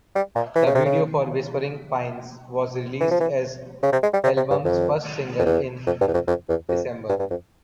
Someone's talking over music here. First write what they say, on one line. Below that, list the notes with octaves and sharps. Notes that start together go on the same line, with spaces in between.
A video for "Whispering Pines" was released as the album's first single in December.
G3
A#2
E3
C#3
C3
C#3
E3
F3
E3
C#3
C3
G#3
G3
C3
C3
G2
F2
F2
E2
F2
G2
E2
F2
F2
E2
F2
G2
G2
F2